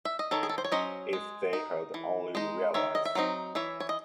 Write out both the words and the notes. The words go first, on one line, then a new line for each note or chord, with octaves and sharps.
If they had only realized!
E5
D#5
D#3 A4 C#5
G#4
A4
C5
C#5
F#3 C#4 C5 D#5
G#3
D#4
E3
G#3 D#4
D#3 C#5 E5
D#5
E5
F#3 C4 D#4
E3 C#5 E5
C#5
D#5